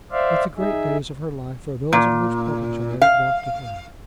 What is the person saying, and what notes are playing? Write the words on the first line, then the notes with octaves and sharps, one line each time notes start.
But the great days of her life are those in which Popenjoy is brought to her.
C5 D5 E5 F5
D#4 G#4 E5
A#2
F5